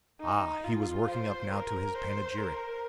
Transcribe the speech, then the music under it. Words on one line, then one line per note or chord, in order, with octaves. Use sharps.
Ah! he was working up now to his panegyric!
D#4
F4
C5
A#4
C5
A#4